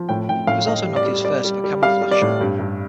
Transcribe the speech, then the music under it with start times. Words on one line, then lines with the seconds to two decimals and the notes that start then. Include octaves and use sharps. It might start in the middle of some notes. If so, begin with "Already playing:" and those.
It was also Nokia's first with a camera flash.
Already playing: F3
0.09 A2 G5
0.29 A2 G5
0.47 A2 F5
0.67 A2 D#5
0.86 G3
0.96 D5
1.05 G3
1.25 G3 D5
1.44 G3
1.64 G3
1.82 G3 F5
2.01 G3
2.11 D5
2.22 A2
2.41 G2
2.59 G2